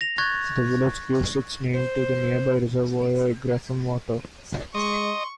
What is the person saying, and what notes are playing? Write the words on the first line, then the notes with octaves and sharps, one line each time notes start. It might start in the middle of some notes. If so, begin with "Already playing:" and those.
The village gives its name to the nearby reservoir, Grafham Water.
A#6 F7
C#6 F#6 G#6 A6
C5
G#3 D#5 C6 C#6